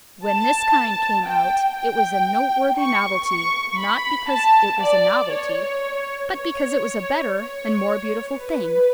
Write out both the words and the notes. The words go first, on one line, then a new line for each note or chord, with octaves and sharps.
When this kind came out it was a noteworthy novelty, not because it was a novelty, but because it was a better and more beautiful thing.
A5
G5
G5
C#6
C#6
B5
A5
D5
C#5
C#5
C#5
B4